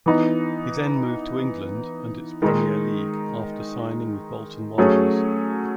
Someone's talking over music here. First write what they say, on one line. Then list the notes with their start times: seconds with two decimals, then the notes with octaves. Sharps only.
He then moved to England and its Premier League, after signing with Bolton Wanderers.
0.06 E3 B3 D#4
2.42 D#3 G#3 D#4
4.78 F#3 A3 C#4 G#4